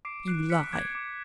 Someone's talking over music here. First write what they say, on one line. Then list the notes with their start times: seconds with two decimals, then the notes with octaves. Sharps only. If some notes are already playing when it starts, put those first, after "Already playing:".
"You lie!"
0.05 D6 C7 D7
0.27 F#6 C7 D7
0.50 F#6 B6 C#7
0.73 D6 G#6
0.95 D6